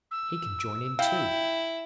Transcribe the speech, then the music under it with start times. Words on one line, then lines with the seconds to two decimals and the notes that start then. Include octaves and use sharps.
He can join in too.
0.11 E6
0.99 E4 F5 G5